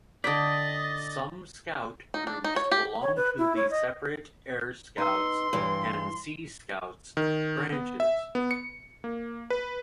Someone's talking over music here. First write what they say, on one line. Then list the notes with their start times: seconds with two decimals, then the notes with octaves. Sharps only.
Some Scout Groups belong to separate Air Scouts and Sea Scouts branches.
0.24 D3 D5 D#5 G5 D#6 A6 B6
2.14 D#4
2.27 D4
2.44 D#4
2.56 C#5
2.72 G4
3.02 C#5
3.16 B4
3.38 E4
3.56 C#5
3.71 D#5
4.98 D#4 B4 C6 E6
5.53 G2 E3
7.17 D#3
7.72 B3
8.00 E5
8.35 B3
8.51 C#7
9.04 A#3
9.50 B4